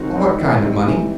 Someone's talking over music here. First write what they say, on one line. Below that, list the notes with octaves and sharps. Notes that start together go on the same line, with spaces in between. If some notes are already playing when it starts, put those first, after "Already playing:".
"What kind of money?"
Already playing: D#3 G#3 C4 D#4 F#4
G#3 C4 D#4 F#4
E3
G3 C4 D#4
E3